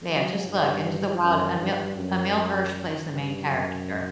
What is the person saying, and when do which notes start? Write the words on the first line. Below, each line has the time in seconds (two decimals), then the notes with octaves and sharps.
Yeah, just look, Into the Wild. Emil Emile Hirsch plays the main character.
0.11 F#3
0.48 G2
1.22 F#2
1.59 G2
1.96 F#2
3.07 G2
3.43 F#2